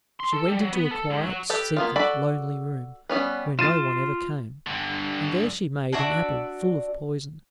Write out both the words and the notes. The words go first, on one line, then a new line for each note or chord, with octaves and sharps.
She went into a quiet, secret, lonely room, where no one ever came, and there she made an apple full of poison.
C6
A4
G3
F#3
B3
A4
G#2
F#3
G4 A4 B4
A#3 B3 F4
F#4 A4 D5 B5
G3 B3 C#4 B4
F4 A6 D#7 E7
G2 D3
D4 F#4 D5 E5